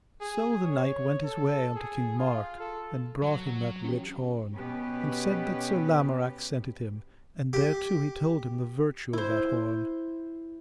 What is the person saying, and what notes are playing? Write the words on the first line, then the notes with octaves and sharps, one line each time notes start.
So the knight went his way unto King Mark, and brought him that rich horn, and said that Sir Lamorak sent it him, and thereto he told him the virtue of that horn.
G#4
C#5
A4
G#4
F4
A4
F#3
F#3
C#4 G4
B2 B3 C#4 G4 B4
G4
E4 C5